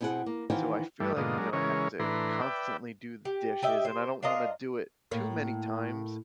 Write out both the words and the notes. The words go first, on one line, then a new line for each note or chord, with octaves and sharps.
so, I feel like, you know, I have to constantly do the dishes, and I don't wanna do it too many times,
B2 C4 E4 G#4 F#5
A#3
D#3 E3 D#4 F#4 C5 F5
G2 E3 G3 A3
G#2 B2 D3 A#3 F4 D#5
F#3 G#3 D4 A#4
C#3 E3 G#3 C#4 A#4 C#5
A2 E3 D4 B4 A#5 C6
B4 D5 E5 G5
G4
G4 D#5 E5
C5
D4 F4 A#4 D#5
A2 A#3